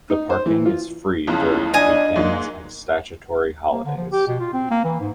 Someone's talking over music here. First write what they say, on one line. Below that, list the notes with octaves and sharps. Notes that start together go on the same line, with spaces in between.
The parking is free during weekends and statutory holidays.
D#4
C5
E3
F4
B1 F2 C#3 E4
D4 D5 D#5 G#5
G#2 F#3 A#3
A#3
D3
F3
G4
B2
F4
C4
A#3
E3
G#2